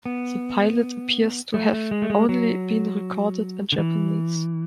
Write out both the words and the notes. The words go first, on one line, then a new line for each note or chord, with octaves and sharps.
The pilot appears to have only been recorded in Japanese.
B3
A3
A3
G#3
A3
G#3
F#3
D3
E3